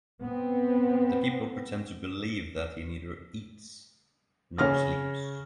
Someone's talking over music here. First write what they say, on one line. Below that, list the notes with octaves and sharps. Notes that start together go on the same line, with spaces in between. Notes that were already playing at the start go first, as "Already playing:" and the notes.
The people pretend to believe that he neither eats nor sleeps.
B3 C4
C#3 C#5 F6 A#6